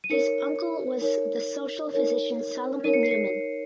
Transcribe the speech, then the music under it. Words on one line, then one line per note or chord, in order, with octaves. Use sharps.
His uncle was the social physician Salomon Neumann.
D#7
D#4 A#4 C#5 C#7
D#4 A#4 C#5
D#4 A#4 C#5
D#4 A#4 C#5 D#7
C#7
C7
C#7